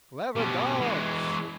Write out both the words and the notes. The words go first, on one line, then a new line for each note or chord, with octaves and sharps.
Clever dogs!
B2 G3
E3 G#3